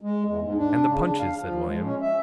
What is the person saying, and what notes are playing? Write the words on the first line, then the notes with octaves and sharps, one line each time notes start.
'And the Punches,' said William.
G#3
E2
G#2
D4
C#3
D4
F5
F3
G#3
C#4
E5